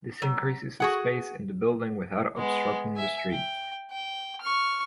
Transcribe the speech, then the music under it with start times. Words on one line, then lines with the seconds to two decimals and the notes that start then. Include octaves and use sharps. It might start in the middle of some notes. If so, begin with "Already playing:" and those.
This increases the space in the building without obstructing the street.
0.22 F#3
0.80 F#4 G#4 F#5
2.37 G#3 B3
2.96 E5 G#5
3.31 G5
3.91 G5
4.41 C#6 F6